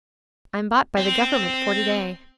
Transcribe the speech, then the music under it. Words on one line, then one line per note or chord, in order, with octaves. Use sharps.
"I'm bought by the government for to-day."
C4